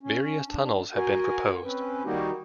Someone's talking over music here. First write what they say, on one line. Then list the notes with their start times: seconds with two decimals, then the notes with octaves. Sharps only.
Various tunnels have been proposed.
0.03 C#4
0.47 D4
0.94 F#4 A#4 G#5
1.63 C4 C#4 B4
2.05 D#3 G3 A#3 D#4 F#4 G4